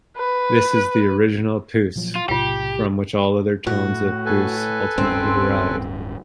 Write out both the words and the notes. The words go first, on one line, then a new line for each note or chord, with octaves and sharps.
This is the original "puce", from which all other tones of puce ultimately derive.
B4
A#2 F3 F#3
F4
B1 A2 C3 F4 G4 G5
A2 F#4
A4 B4 G#5
D1 G2 C4 C#4